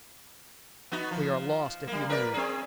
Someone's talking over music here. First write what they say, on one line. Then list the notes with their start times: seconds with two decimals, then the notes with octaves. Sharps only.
We are lost if you move.
0.92 B3 D#4 F#4
1.11 F3
1.87 G3 A#3
2.09 A#4 B4 D5
2.34 C4 G#4